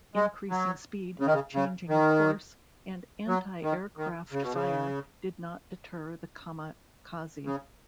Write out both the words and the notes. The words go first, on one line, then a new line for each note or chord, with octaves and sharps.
Increasing speed, changing course, and antiaircraft fire did not deter the "kamikaze".
G#3
F#3
C#3
D#3
C#3
C#3
D#3
F#3
D#3
D#3
C#3
B2
C#3
C#3